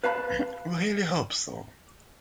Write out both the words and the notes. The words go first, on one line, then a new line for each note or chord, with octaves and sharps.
We really hope so.
B4 F5 A5 B5